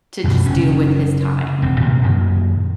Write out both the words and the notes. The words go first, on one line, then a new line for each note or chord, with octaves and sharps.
to just do with his time.
F#2 B2
F#1 C#4
E1 C4
A2 C3 D#3 A#3
F#2 A#2 D#3 F#3